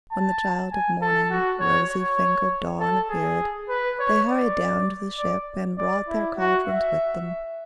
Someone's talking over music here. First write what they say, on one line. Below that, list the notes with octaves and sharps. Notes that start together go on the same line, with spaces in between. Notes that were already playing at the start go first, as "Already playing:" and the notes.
When the child of morning, rosy-fingered Dawn, appeared they hurried down to the ship and brought their cauldrons with them.
A5
G#5
A4
F#4
C#5
C#5
A4
G#4
B4
C#5
D5
D5
D5
E4
F#4
E5